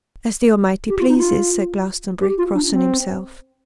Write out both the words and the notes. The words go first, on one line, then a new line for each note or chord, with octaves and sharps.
'As the Almighty pleases,' said Glastonbury, crossing himself.
G4
F4
D#4
F4
G4
F4
D4
C4